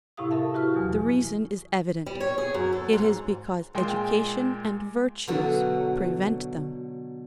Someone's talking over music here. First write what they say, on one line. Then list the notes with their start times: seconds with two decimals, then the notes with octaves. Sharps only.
The reason is evident: it is because education and virtues prevent them.
0.17 A2 C3 E4 G4 F5 D#6
0.31 A4 A#4 E5 F5 A5
0.54 E4 F#4 G4 B4 C#6 F6
0.74 E2 B2 E3 F#3
2.06 G3
2.20 C#5
2.38 G#4
2.54 F#2
2.72 A4
2.93 G#2
3.74 A#2 G#3 G5 G#5 C6
5.28 B2 D3 F#3